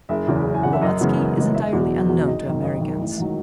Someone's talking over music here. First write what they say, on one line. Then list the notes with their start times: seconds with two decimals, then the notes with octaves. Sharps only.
Glovatski is entirely unknown to Americans.
0.09 F#1 E5
0.27 E2 C#3
0.46 F#1
0.54 G#5
0.63 E2 C#3 F#5
0.73 E5
0.81 F#2 D#5
1.01 C#3 E3 G#3 B3
1.18 F#2
1.37 C#3 E3 G#3 B3
1.55 E1 E5
1.73 E2 B2 F#3
1.91 E1
2.09 E2 B2 F#3
2.27 G#1 D#5
2.46 F#2 D#3
2.63 G#1 D#5
2.81 F#2 D#3
2.99 A1
3.17 G#2 D#3 F#3